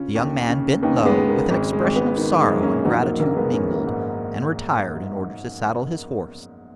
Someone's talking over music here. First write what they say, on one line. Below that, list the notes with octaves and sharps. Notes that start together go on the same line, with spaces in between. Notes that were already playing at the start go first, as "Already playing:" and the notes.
The young man bent low, with an expression of sorrow and gratitude mingled, and retired in order to saddle his horse.
Already playing: C#3 C#4 F4
D#2
C#3
D#2 B3 D#4
G#3 B3
C#3
A#3
G#1 G#3
G#3
G#1
G#3 B3
D#3
G#3
F#2
A#3 C#4
A#1 D#4 F#4
A#3
A#1 A#3
G#3 B3
D#3 A#3 C#4
G#2